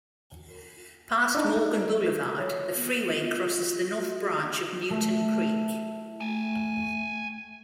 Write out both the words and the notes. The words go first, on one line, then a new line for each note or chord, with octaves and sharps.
Past Morgan Boulevard, the freeway crosses the North Branch of Newton Creek.
D4 D#4
C#5
B3
F4
F#4
A3
A3 G5 G#5